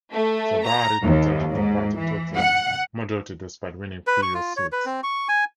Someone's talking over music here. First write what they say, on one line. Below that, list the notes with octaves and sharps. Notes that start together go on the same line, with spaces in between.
The Bharatiya Janata Party took the majority despite winning fewer seats.
A3
A#5
D#2
G#2
E3
F#5
B4
C#6
F4
C#5
B4
C4
C#6
G#5